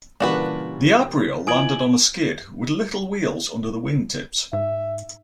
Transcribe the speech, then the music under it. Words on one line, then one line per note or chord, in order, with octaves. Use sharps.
The Abrial landed on a skid, with little wheels under the wing tips.
A#2 C#3 E3 G3 A#3 D4 F#4 B4
E3 F4 D#5 G#5 D#6 G#6 D7 F#7
G#2 E5